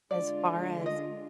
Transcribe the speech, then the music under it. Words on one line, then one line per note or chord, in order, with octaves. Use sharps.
as far as
D3 G#3 D4 F4 D5
D#5